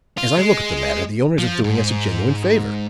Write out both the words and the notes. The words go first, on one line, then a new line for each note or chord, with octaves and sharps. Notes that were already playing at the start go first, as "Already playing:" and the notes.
As I look at the matter, the owners are doing us a genuine favor.
F4
G#3
F3
G#2